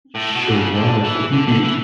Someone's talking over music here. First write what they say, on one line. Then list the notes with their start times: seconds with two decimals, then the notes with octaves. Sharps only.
Sure was. If you could
0.15 A2
0.35 B2
0.47 D3
0.54 C#3
0.74 D3
1.04 E3
1.33 D3
1.48 D3
1.63 E3